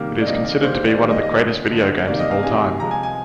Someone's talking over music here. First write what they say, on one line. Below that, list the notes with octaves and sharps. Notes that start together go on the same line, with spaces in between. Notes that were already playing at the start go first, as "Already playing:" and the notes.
It is considered to be one of the greatest video games of all time.
Already playing: C3 D#3 G3 A#3
D5
C3 D#3 G3 A#3 D#5
D5
D#3 G3 A#3 C5
C5
D5
C5
D#3 G3 A#3 D5
D#5
D#5
D3 G#3
D3 G#3
C3 D#3 A#3 D5
D#5
F5
C3 D#3 A#3 G#5
C3 F3 G#3 A#5
G#5
G#5